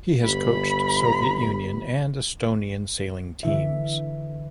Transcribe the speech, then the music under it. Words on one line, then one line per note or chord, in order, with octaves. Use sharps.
He has coached Soviet Union and Estonian sailing teams.
G1 B5
D3 E3 E5